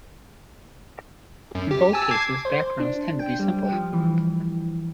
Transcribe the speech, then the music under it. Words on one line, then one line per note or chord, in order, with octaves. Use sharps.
In both cases, backgrounds tend to be simple.
F#2
G4
G#5 A5 E6
D6 G#6 C7
C5
D4
G5
G3
F3
E3